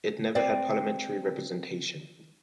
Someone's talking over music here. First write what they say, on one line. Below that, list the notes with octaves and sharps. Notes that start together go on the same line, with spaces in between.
It never had parliamentary representation.
C4 D5